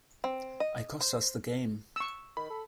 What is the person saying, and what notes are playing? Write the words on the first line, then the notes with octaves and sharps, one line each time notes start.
I cost us the game.
C4
D#5
C5
C#6 E6
D#3 B5
A4